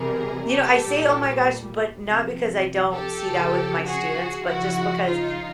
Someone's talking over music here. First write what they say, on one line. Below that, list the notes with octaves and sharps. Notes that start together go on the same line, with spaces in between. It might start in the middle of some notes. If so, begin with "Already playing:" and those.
You know, I say, oh my gosh, but not because I don't see that with my students, but just because
Already playing: C3 E3 G3 G#4 A#4
G4 A4
A#2 G3
C3 F3
G4 A4
C#3 F3
F#4 G#4
C#3 F3 E4 F#4
D#4 F4